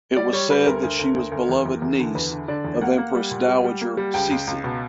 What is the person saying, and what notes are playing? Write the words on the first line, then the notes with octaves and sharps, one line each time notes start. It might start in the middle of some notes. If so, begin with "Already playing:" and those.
It was said that she was beloved niece of Empress Dowager Cixi.
G3 D5
G3 C#5
G3 B4
D2 A#4
D2
D2
D2
D2
E2
E2
E2
D3
E2 B4
D3
D3 D5
E2
A#3 F#5
A#3
G3
A#2
G3
G3
A#3
G3
C#2 G5
C#2
C#2
B2